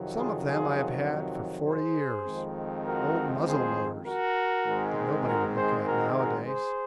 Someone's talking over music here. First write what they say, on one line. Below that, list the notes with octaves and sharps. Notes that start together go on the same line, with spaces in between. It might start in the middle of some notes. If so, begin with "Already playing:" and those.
Some of them I have had for forty years, old muzzle-loaders that nobody would look at nowadays.
Already playing: F2 C3 D#3 F#3
F4 G#4
F4 G#4
G#4 C5
F2 D#3 G#3 C4
F#4 A#4
G#4 C5
F#4 A#4
G#2 D#3 G#3 C4
F#4 A#4
G#4 C5
F#4 A#4
F#4 A#4
G#4 C5